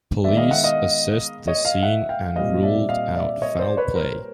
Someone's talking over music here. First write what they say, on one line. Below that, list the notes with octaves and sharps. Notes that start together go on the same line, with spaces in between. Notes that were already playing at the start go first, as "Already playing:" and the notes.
Police assessed the scene and ruled out foul play.
D#3 G#3 B3 D5 E5
D#5 F5
E5 F#5
D#5 F5
C#5 D#5
D#5 F5
E5 F#5
F5 G5
A#2 G3 C4 D#5 F5
D5 E5
D#5 F5
D5 E5
C#5 D#5
C5 D5
B4 C#5
A#4 C5